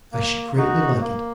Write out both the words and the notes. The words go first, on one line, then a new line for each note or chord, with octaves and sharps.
'I should greatly like it.
A#3
D#4 F#4
A#3